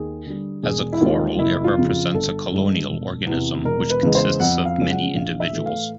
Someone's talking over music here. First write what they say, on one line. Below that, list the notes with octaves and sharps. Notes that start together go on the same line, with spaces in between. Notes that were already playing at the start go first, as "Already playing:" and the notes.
As a coral, it represents a colonial organism, which consists of many individuals.
Already playing: D#2 G#4
D3 G3
E1 G#4
E4
D#2 D#3 G#3 F4
F#1 E4
F4
F2 C#3
F4
G1 A4
G2 D#3 G#3
E1
E2 C3
E1 A#4
B4
E2 C#3 E3 G#3
C5
F2 F#5
F5
C#3 F3 G#3 C#4
F#5
A#1 F5
E5
A2 E3 A3
F5